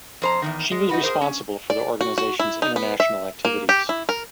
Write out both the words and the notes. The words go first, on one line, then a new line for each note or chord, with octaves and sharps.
She was responsible for the organisation's international activities.
F2 C5 A#5
E2 G2 D#3
G#3
D#4 F#4 B4
G#4 A#4 C5
C#4
D5
F#4
F#4
E4
D#4
B3
E5
A#3
G4
E4
A#4